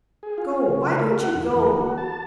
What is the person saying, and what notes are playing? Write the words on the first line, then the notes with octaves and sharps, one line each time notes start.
Go--why don't you go?
G#4
F4
C#3
A3
F#5
E2
E3
A#3
F#4
A5